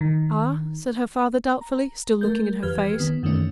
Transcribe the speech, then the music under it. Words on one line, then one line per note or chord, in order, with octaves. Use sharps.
"Ah?" said her father, doubtfully, still looking in her face.
D#3
A#5
A3 A#4 G6
F2 E3 G4 B4 F6 G#6
D#3 B3
F#2 D#3 E3 A3 C#4